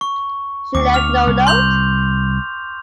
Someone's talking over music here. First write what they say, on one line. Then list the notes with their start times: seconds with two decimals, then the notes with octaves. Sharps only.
She left no note.
0.01 C#6
0.75 D2 D6
0.94 F6 F7
1.27 C2
1.47 C6 G6 F7